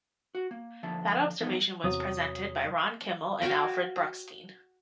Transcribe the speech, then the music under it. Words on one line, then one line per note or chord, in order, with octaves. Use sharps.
That observation was presented by Ron Kimmel and Alfred Bruckstein.
F#4
A#3
D3 F3 A#3 E5 A5
E3 F3 B3 D#4 G#4
E2 C3 F#3 C#5 D#6
F#4 C#5 F5 G5